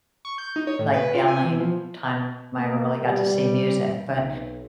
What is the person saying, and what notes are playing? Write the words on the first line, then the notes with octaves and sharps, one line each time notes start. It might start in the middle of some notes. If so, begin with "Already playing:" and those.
like, the only time I ever really got to see music. But
C#6
G6
D#4
C#5
A2
B4
F4
G#5
E3
F3
A#3
G3
B1